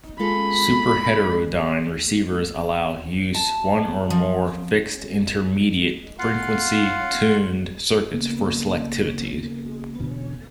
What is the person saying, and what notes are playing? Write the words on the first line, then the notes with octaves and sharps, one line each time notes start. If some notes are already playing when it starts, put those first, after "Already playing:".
Superheterodyne receivers allow use one or more fixed intermediate frequency tuned circuits for selectivity.
G#3 F4 A4 B5
A5
F3
F4 F5 F#5
C#3 A#3 B3
E2 B2 D3